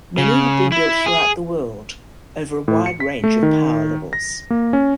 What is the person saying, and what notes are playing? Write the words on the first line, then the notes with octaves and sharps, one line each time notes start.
Many have been built throughout the world, over a wide range of power levels.
C#3
E4
G#4
A2
C#7
B6
A3
D#3
A#6
A#3
C#4